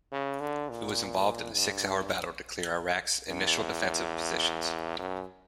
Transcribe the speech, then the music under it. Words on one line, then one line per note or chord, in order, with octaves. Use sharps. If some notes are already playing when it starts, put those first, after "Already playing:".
It was involved in a six-hour battle to clear Iraq's initial defensive positions.
C#3
D3
A#2
G2
E2
F#2